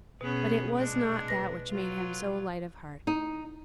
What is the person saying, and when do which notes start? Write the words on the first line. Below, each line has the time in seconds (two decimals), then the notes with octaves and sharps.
But it was not that which made him so light of heart.
0.21 B2 B3 C#4 G#4
0.75 A#2 G#3 D4
1.28 B4 A#6
1.70 F#3 F4
3.07 D#4